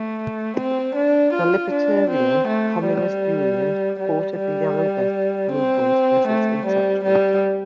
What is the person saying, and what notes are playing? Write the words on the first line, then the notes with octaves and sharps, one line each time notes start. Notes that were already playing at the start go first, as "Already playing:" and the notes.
The Libertarian Communist Union supported the Yellow vests movement since its inception.
Already playing: A3
C4
D4
F4
D4
C4
A3
G3
G3
G3
C4
A3
G3
G3